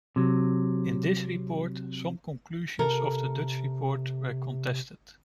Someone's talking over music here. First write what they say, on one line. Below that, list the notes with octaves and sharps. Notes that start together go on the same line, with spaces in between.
In this report some conclusions of the Dutch report were contested.
C3 F#3
C3 A4 A#4